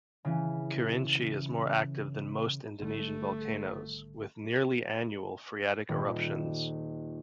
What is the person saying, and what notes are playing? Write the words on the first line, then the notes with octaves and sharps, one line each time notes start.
Kerinci is more active than most Indonesian volcanoes, with nearly annual phreatic eruptions.
C#3 E3
G#1 D3 G3 A3
D#1